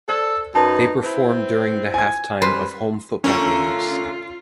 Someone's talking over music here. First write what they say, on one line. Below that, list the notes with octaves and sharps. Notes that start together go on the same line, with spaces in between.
They perform during the halftime of home football games.
A4 C5 D5
F#2 D#4 B4 A5
C4 E4 B4
G#5 G#6
F#2 G3 B4 C5 F6
D3 A3 C#4 F4 A#4